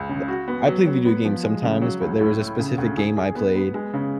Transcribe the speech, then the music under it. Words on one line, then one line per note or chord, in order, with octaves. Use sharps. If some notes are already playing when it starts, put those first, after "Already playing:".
d ah, ah, I play video games sometimes, but there was a specific game I played,
Already playing: C#2
C#3
F#4
B3
F#3
F#3
B3
F3
G#3
C#3
F#3
C#2
A2
A2
C#3
D2
G#4
G#4
B3
B3
G#3
C#3